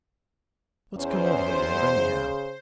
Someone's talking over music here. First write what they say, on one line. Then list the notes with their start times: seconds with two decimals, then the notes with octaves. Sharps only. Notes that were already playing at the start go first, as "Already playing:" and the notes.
What's come over the world anyhow?
0.97 E2 C#4 C5
1.94 C#3